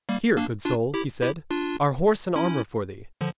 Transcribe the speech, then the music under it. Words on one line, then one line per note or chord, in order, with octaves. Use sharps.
'Here, good soul,' he said, 'are horse and armour for thee.
G3 A#3
A#3 D4
D4 F4
E4 G4
E4 G4
D4 F4
C#4 E4
D3 F3